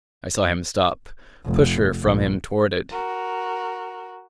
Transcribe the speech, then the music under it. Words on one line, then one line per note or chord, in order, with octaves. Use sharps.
I saw him stop, push her from him toward it.
F1
A#1
F#4 A#4